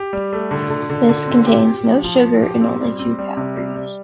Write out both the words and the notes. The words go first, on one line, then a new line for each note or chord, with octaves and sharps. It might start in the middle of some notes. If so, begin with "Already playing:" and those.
This contains no sugar and only two calories.
Already playing: G4
G3
A3
D3
D3
D3
D3
C4
G4
G4
F3
F3
F3
G4
C4
G3
C4
G3
C3
G3
G3